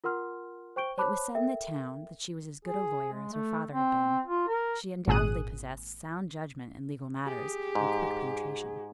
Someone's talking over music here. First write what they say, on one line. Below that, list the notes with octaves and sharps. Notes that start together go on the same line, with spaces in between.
It was said in the town, that she was as good a lawyer as her father had been; she undoubtedly possessed sound judgment in legal matters, and quick penetration.
F4 A#4 F#5 C6 F6
C5 G5 C#6 G6 D7 G7
C5 C#5 A5 B5 D6 F#6
A4 A#4 E5 G5
G#4
G#3
A3
C4
F4
A#4
G#1 A#2 G#4 D#6 F#6 D#7
G4 G#4
G#2